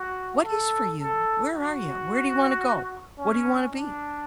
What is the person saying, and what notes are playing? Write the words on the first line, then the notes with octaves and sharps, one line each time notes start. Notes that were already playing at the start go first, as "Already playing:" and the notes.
What is for you? Where are you? Where do you wanna go? What do you wanna be?
Already playing: F#4
A4
A4
F#4
C#4
D4